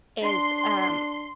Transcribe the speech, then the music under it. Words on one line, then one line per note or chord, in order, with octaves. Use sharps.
is, um,
D4 C6